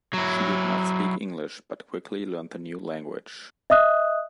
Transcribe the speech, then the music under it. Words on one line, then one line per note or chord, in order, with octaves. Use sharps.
She did not speak English but quickly learned the new language.
F#3 E4
D#5 E5 D#6 F#6